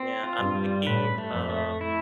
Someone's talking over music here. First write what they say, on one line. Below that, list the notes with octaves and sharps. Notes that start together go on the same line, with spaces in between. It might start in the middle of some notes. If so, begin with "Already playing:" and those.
Yeah, I'm thinking uh
Already playing: C4
F4
G2
G3
A2 B4
A3
F2
A3
E4